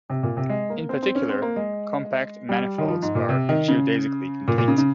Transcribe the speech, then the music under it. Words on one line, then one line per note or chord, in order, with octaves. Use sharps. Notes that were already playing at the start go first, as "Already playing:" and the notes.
In particular, compact manifolds are geodesically complete.
C3
A#2
C3
G#3
A#3
C4
C4
C#4
C4
A#3
G#3
G3
D#3
F3
G#2
A#2
C3
D#3
C#3
A#2
A#2
C#3
C#3